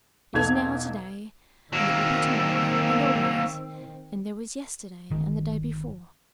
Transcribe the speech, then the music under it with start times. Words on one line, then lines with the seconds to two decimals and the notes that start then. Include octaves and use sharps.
"It is now today, and it will be tomorrow, and always; and there was yesterday, and the day before..."
0.34 B1 E2 D#4 A4 G#6 F7
1.73 D#3 F#3 A#3 C4 E6
5.10 G1 D#3